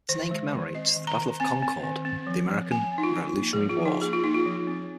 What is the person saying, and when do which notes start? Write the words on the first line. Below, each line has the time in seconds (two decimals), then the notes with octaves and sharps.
Its name commemorates the Battle of Concord of the American Revolutionary War.
0.09 D#3 C5
0.31 G#3
0.53 D#3
0.74 C4 D#5
0.96 D#3
1.07 A#5
1.18 D#3
1.40 C4 G#5
1.62 C4
1.84 D#3
2.05 C4
2.27 F3
2.49 F3
2.71 C4 G#5
2.92 C4
2.98 D#4
3.03 F4
3.15 F3
3.36 A#3
3.53 F3 G#4
3.69 F4
3.80 F3
3.86 D#4
4.02 A#3 G#4
4.13 F4
4.24 A#3 D#4
4.34 F4
4.46 F3
4.67 C4